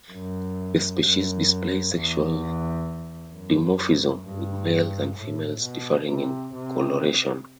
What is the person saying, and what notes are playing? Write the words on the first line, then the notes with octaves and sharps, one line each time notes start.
The species displays sexual dimorphism with males and females differing in coloration.
F#2
F#2
E2
F#2
G2
A2
B2
C3
C3